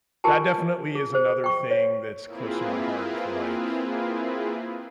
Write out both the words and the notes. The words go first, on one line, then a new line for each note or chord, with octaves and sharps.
that definitely is another thing that's close to my heart for, like,
F4 G4 A#4 G#5 A5
G#4
G#4 C5
G5 C#6
C#5
A#3 C4 E4 F4 G#4 B4